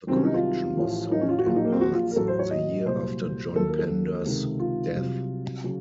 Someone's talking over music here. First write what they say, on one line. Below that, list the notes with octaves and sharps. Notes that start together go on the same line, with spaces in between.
The collection was sold in parts the year after John Pender's death.
C2 C3 D#3 F#3 C4
C#4
D#4
F4
A1 A2 F3
D#4
C#4
F4
F#4
A#1 A#2 F#3 F4
D#4
A#3
C4
F#4
F4
A#4
A1 A2 F#3 A4
C5
C#5
D#5
C2 A#2 F#3 C5
D#2 D#3 F#3 A4
A#4
A4
C#2 C3 D#3
F4
C2 C3 F#3
C#3 F#3